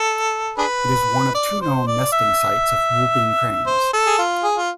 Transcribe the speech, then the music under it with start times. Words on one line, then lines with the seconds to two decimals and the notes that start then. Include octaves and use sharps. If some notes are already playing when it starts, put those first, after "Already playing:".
It is one of two known nesting sites of whooping cranes.
Already playing: A4
0.58 D4 G#4 B4
1.34 D5
1.61 C5
1.87 D5
2.12 E5
3.67 C5
3.93 A4
4.06 G#4
4.18 F4
4.44 G#4
4.57 F4